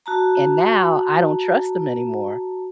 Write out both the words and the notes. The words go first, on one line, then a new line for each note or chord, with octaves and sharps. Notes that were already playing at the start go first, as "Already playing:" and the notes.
and now I don't trust them anymore."
F#4 A5 A#5